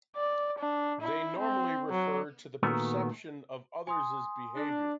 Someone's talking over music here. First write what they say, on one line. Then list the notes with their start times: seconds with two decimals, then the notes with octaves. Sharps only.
They normally refer to the perception of others' behavior.
0.16 D5
0.58 D4
1.01 E4
1.38 C4
1.90 F#3
2.63 A#2 D#3 A3 B3 F#4 A#4
3.87 G#5 C6 D#6
4.56 D4